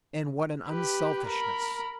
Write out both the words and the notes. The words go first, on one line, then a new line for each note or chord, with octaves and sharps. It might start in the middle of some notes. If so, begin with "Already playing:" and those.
And what an unselfishness!
G4 B4
A#4 B5